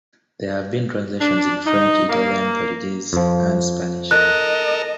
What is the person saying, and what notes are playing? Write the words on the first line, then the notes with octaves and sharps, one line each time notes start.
There have been translations in French, Italian, Portuguese and Spanish.
D4
D#4
A#3
F2 F3
A4 A#4 D#5 F#6